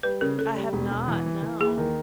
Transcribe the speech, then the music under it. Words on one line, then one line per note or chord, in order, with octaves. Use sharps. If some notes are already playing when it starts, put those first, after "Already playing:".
I have not, no.
G3 B4
C#3 A#4
C#3 A4
G3
E1
E1
E3
E3
E3
D#2 G#4
D#3